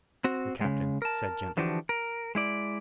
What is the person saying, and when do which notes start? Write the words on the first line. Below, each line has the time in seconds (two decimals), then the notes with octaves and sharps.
The Captain said gently.
0.24 C4 F#4
0.61 C#3 G#3
1.02 A#4 A5
1.57 D3 E3 F3 D4 F#4 G4
1.89 A#4
2.35 G#3 E4 D5